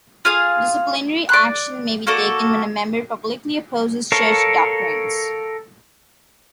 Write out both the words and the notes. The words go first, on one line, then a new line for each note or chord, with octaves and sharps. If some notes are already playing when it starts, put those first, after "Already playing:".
Disciplinary action may be taken when a member publicly opposes church doctrines.
F4 G#4 F5 D#6
D5 F#6
A#3 F#4 A4 D5
A4 A#4 C#5 F5